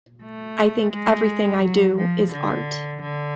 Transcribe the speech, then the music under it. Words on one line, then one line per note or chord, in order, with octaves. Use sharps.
I think everything I do is art.
A3
G#3
F#3
F3
D3
D3